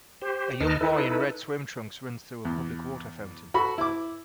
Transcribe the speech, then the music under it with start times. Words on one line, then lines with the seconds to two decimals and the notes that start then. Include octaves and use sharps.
A young boy in red swim trunks runs through a public water fountain.
0.22 G4 C5
0.60 D#2 D#4 B4 D#5 A5 F6
0.81 D#4 E4 A4 B4
2.45 E2
3.54 F#4 A4 B5
3.78 E4 D6